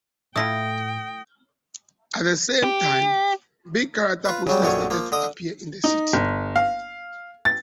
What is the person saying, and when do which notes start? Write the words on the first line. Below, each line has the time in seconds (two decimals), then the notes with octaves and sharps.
At the same time, big-character posters started to appear in the city.
0.36 A2 A3 E4 F4 G5 D#6 A#6
2.63 G4
4.25 F4 B4
4.47 C#3 F#3 G3
4.62 A#1 F#2 D3 D#3 C#5
4.90 F3 A#3
5.12 D3 D#5 D#6
5.84 D#4
6.13 G1
6.56 F5
7.45 A6